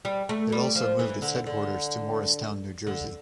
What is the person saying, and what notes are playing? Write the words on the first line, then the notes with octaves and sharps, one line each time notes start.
It also moved its headquarters to Morristown, New Jersey.
G3
A3
G3
F3
E3
D3
D3
D3